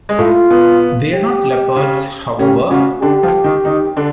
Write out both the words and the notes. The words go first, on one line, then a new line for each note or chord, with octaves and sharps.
They are not leopards, however.
G#3
A2 A3 F4
B2 B3
G4
C#3 C#4
C#3 C#4 G4
C#3 C#4 F#4
D3 D4 G4
F3 F4
D#3 D#4
D#3 D#4
D3 D4